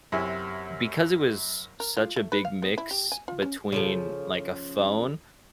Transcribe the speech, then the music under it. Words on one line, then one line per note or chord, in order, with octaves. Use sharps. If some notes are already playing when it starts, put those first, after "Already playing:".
because it was such a big mix between, like, a phone
F#2 C3 E4 G#5
A#4
F4
A3
B4
F5
B3
E4
G4
G#5
F4
C#4
C#3 F3 A4